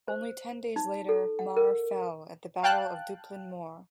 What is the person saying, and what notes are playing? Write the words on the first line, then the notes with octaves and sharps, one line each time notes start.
Only ten days later Mar fell at the Battle of Dupplin Moor.
C5
D#4
A4
F#5
A#4
F5 G5 A5 F#6